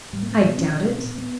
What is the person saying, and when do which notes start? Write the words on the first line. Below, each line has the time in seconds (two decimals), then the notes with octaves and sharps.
"I doubt it."
0.13 A2 G3
0.23 A#3
0.32 B3
0.43 A#2 B3
0.58 C#4
0.72 B2 D4
0.98 C4
1.03 A#2 B3
1.18 B3